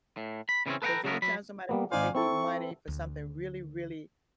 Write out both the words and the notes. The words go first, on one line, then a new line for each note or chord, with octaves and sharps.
'Cause anytime somebody say they need money for something really, really
A2
B5
C#3 E3 G3 A3 C4 C#4
A4 B4 E5 F#5 G5 A#5
C#3 F#3 A3 B3 A#4
F#3 B5
G3 A#3 B3
G#1 D#4 C5 D5 F5 G#5
C4 E4 A4 C#6
D2